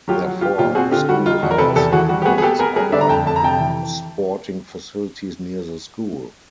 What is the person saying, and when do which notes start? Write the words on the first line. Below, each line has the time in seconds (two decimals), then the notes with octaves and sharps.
Therefore, the school hires and owns other sporting facilities near the school.
0.08 F#3 F4 G4
0.24 F#3 F#4
0.41 F#3 F4 G4
0.58 A#2 F4 G4
0.75 C4 F#4 G#4
0.91 D3 F4 G4
1.09 G3 F#4
1.26 D#4 F4
1.43 E2 F#4
1.51 A#4
1.58 C3 A4 B4
1.76 E2 G4 A4
1.92 E3 F#4 G#4
2.09 G3 F#4
2.22 G4
2.25 B3 F#4 G#4
2.38 G#4
2.42 B3 G4 A4
2.59 B3 G#4 A#4
2.76 G3 G#4 A#4
2.92 D3 D5 E5
3.01 A#5
3.09 F2 G5 A5
3.26 F2 A5
3.36 A#5
3.43 C3 G5 A5
3.60 E3